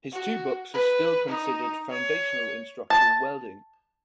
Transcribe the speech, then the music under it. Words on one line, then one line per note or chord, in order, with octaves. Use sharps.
His two books are still considered foundational in structural welding.
F#4
B4
D#4
C#5
A5